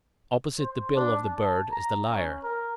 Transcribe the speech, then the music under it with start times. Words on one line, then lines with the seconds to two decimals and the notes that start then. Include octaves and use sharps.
Opposite the bill of the Bird is the Lyre.
0.59 C5
0.96 D4
1.25 A5
1.71 A#5
2.10 C#4
2.43 A#4